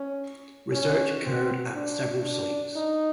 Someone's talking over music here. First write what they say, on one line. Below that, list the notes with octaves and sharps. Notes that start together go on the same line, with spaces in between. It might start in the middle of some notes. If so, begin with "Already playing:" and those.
Research occurred at several sites.
Already playing: C#4
C#4
C4
D4
D4
D#4